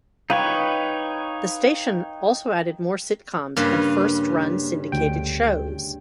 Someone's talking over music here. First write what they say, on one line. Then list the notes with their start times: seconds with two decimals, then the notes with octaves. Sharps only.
The station also added more sitcoms and first-run syndicated shows.
0.30 D#4 B4 C#5 F5 G5 D6
3.57 G2 C#3 A#3 B4
4.92 D2 G5